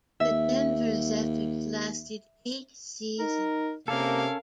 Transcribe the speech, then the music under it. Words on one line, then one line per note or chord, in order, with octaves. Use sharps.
The Denver Zephyrs lasted eight seasons.
D#2 E5
D#4 A#4
C3 A#3 C#4 A4 A#4 F5